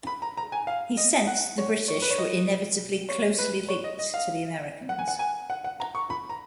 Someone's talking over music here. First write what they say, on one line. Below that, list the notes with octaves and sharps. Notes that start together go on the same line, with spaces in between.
He sensed the British were inevitably closely linked to the Americans.
B5
A#5
A#5
G#5
F5
D#5
F#5
C#5
C#5
B4
C#5
D#5
C#5
B4
C#5
D#5
D#5
F5
F#5
G#5
F#5
G#5
F#5
F#5
A#5
C#6
B5
A#5